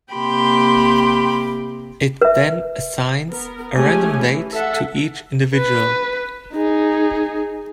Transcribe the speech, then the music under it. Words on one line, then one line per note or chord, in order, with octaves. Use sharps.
It then assigns a random date to each individual.
C3 A#3 G4 G5 B5 C6
B4 E5
B3 A#4
G#3 A3 C#4 G4 G#4 G#5
E3
A4 E5 F#5
B4
D#4 G#4